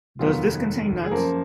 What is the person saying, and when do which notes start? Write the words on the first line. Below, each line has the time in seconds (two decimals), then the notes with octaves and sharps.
Does this contain nuts?
0.19 F1 D#2 D#3 F#3 B3 F4
1.04 G#4
1.11 F#2 F3 A#3 A#4